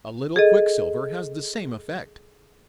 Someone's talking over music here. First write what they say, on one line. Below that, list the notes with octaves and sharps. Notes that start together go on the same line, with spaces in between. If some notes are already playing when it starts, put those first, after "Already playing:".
A little quicksilver has the same effect.
G#4 A4 D#5